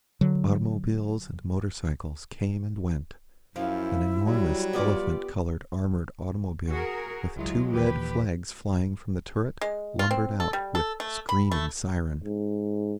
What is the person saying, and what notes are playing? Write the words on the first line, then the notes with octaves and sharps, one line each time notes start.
Automobiles and motorcycles came and went; an enormous elephant-coloured armoured automobile, with two red flags flying from the turret, lumbered out with screaming siren.
D3 F#3
F#2 F3 E4
F#3 G3
B3 F4 G4 D5
F#4 G#4 A#4
C#2 F#3 G#3 E4 F4
D#2 A#2 E3 G4 B4
G#3
F4
C4
A4
G3
A4
A3
B5
A3
G#2